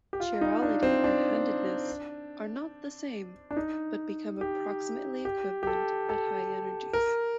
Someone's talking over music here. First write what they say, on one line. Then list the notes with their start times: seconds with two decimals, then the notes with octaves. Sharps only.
Chirality and handedness are not the same, but become approximately equivalent at high energies.
0.13 G4
0.20 F4
0.41 D#4
0.62 D4
0.83 C4
1.04 D4
3.51 D4
3.57 D#4
4.41 G4
5.25 G4
5.63 G4
5.67 A4
6.09 A4
6.93 A#4